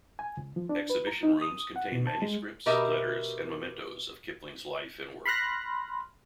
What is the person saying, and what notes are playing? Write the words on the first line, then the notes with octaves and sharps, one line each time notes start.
Exhibition rooms contain manuscripts, letters, and mementoes of Kipling's life and work.
G#5
C#2
F3
D4
B4
A#5
D#4
D#6
F#5
B2
A5
G#3
B2 G4 A#4 D#5 E5 A#5
B5 C6 F6 F#6 A#6